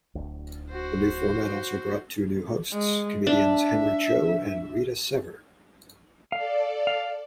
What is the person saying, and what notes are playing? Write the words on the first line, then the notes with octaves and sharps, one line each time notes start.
The new format also brought two new hosts: comedians Henry Cho and Rita Sever.
D1 D2
F#4 C5
G#3
D4 E5
A4 D5 F5
F5